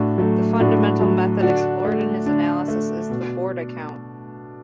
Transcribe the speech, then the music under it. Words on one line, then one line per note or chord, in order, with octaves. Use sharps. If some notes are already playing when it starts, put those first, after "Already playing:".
The fundamental method explored in his analysis is the Borda count.
Already playing: A2 D4 F#4
F#3 A3
A2 D4 F#4
F#3 A3
D3 D4 F#4
A3
D3 D4
A3
B2